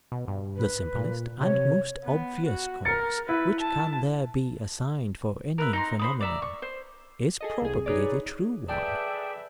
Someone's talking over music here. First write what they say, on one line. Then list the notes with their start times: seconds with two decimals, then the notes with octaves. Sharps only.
The simplest and most obvious cause which can there be assigned for any phenomenon, is probably the true one.
0.12 B2
0.28 G2
0.56 B4
0.95 A#2
1.41 C3 C#5
2.04 B3
2.46 F#4
2.85 A#4 A6 C#7
3.29 E4 B4
3.60 A5
5.58 A#4 B4 E5
5.73 D#4 A#5 C6
5.99 C5 B5 D#6
6.21 D5 E5 A#5
6.42 C#6
6.62 C5
7.41 G#4 A4 D#5
7.62 C2 G#4
7.86 D#4 G#4 B4 C#5 D5
8.69 D4 G#4 A4 B4 D5 E5 G5